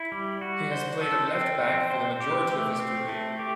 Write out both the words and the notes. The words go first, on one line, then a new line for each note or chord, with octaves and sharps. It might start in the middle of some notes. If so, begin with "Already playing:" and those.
He has played at left back for the majority of his career.
Already playing: E4
G3
F#4
C5
A4
C4
C4
C5
G4
A3
C4
A3
G4